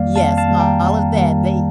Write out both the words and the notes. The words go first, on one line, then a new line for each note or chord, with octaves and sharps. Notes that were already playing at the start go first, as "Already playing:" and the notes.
yes, all of that, they
Already playing: F2 D#3 G3 A#3 D5 F5
F2 F5 A5
F5 A5
D#3 G3 A#3
G5 A#5
F2
D#3 G3 A#3